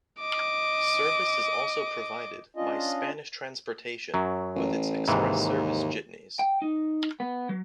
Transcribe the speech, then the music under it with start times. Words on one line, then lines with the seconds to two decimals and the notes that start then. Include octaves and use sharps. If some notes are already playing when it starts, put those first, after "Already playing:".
Service is also provided by Spanish Transportation with its Express Service jitneys.
0.20 D#5 D6
2.56 C#4 D4 F4 D#5
4.14 F#2 F#3
4.56 A1
5.08 D#2 G#2 C3 E3
6.39 G5
6.62 D#4
7.20 B3
7.49 F#3